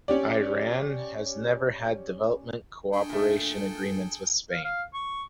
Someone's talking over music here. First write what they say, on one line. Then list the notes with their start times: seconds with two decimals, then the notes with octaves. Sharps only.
Iran has never had development cooperation agreements with Spain.
0.08 C#4 G4 D5
2.93 D4 G#4 A4 G5
3.09 A#2 A3
4.51 F5
4.64 F5
4.94 C#6